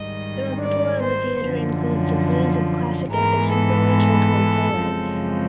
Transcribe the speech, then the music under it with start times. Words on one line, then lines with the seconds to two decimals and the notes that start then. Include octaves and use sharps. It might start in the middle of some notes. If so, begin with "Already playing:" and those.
The repertoire of the theater includes the plays of classic and contemporary Turkmen playwrights.
Already playing: G#2 D#3 G3 D#5
0.60 D5
1.01 C5
1.44 F#2 D3 F3
3.11 G#2 E3 G#3 B3 A#4
3.53 A4
4.79 F#2 C#3 F3 G#3 C4